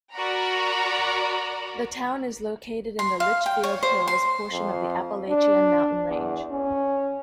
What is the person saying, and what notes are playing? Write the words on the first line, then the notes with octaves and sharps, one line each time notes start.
The town is located in the Litchfield Hills portion of the Appalachian mountain range.
F#4 A#4 D5 F#5 A#5 B5
C6
F5
G5
C#5
C5
C6
F2
D4
E2
C#4